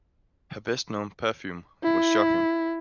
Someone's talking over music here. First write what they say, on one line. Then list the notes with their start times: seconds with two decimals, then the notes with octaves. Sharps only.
Her best-known perfume was Shocking!
1.84 E4